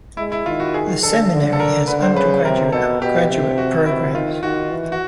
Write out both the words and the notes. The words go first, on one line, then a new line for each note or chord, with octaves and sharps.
The seminary has undergraduate and graduate programs.
G#3 E4
E4
D#3 F4
F#4
G#4
D3 A4
D3
A4
A#4
D3 B4
C5
C#3 B4
C3 A#4
B2 A4
B2 G4
C3
F#4
C3 E4
D#3 F4
D#3 F#4
E3
F#4